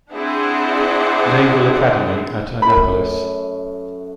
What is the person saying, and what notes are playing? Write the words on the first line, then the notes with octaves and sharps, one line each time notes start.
Naval Academy at Annapolis.
C4 D4 E4 G#4 D5 F#5
F#2 A3 B5